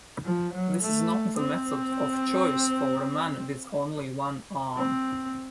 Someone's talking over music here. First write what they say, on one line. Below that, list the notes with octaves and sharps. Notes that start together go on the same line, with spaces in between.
This is not the method of choice for a man with only one arm.
F3
F#3
A3
C4
C4